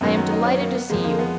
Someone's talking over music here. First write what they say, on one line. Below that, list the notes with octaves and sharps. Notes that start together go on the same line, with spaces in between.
I am delighted to see you.
F#2 D#3 F#3 B3
B3
D#4
C#4
A#3
B3
F2 F3 G#3 A#3
A#3
B3